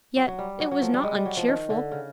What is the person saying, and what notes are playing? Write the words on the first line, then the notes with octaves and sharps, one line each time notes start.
Yet it was not uncheerful.
F#3
F#3
G3
F#3
F#3
F3
G3
G#3
G3
F#3
F3
D#3
D3
C#3